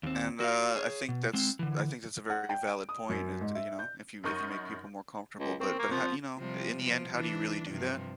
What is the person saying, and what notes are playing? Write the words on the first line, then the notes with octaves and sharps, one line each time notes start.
And, uh, I think that's I think that's a very valid point, uh, you know, if you if you make people more comfortable, but but how, you know, in the end, how do you really do that,
D#2 C4
F#4 F5
G#4 C#5
B2
G#3 C4
D3 E3
F#5
G5
D7
D#6
F#2
G#2
E5
G6
F#2 D#4 A#4 C#6 G6 D#7
C#2
C4 A#4 C#6
A#3
F3 C4
C3 F3 G3
F3
E3 D4
G2 C3 F3